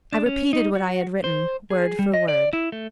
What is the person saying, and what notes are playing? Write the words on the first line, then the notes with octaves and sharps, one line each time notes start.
I repeated what I had written, word for word.
D4
C#4
D#4
F#4
C5
G#4
G3
D#5
D5
E4
A3